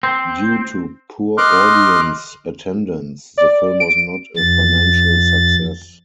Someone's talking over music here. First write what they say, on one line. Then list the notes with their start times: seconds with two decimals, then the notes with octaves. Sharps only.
Due to poor audience attendance, the film was not a financial success.
0.03 C4
1.38 D#5 C6 D6 F6 F#6
3.38 D5
3.80 D7
4.36 F2 A6